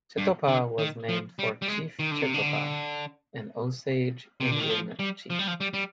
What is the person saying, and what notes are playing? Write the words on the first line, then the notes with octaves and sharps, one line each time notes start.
Chetopa was named for Chief Chetopah, an Osage Indian chief.
G2
D3
D#3
F3
G3
G3
G#3
D#3
D3
C3
D3
C3
D3
D#3
F3
G3
F3
G3
F3
G3
G3